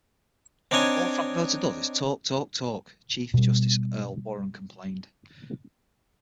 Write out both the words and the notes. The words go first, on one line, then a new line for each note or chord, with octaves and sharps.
"All Frankfurter does is talk, talk, talk," Chief Justice Earl Warren complained.
C4 D4 D#4 C#5 G#5
B2 G3